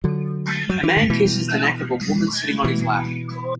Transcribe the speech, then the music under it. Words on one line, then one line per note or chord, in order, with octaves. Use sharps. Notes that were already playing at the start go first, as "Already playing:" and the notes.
A man kisses the neck of a woman sitting on his lap.
D3 F#3
F#3
E3
D3
B2 E3
B2 E3